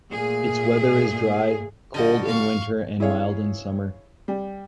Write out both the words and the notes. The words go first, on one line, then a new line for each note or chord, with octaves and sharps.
Its weather is dry, cold in winter and mild in summer.
A#2 A3 G#4
D3 G3 F#4 D#5
F5 C#6
E4 G#4 C#5 F5
G3